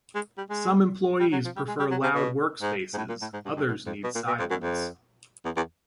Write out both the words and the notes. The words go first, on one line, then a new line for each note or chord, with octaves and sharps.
Some employees prefer loud work spaces, others need silence.
G#3
G3
G#3
G3
F#3
F3
G3
G#3
G3
F#3
C3
B2
G#2
G#2
A2
A#2
A2
G#2
G2
G2
F#2
F2
B2
A#2
B2
F2
F#2
F2
E2
E2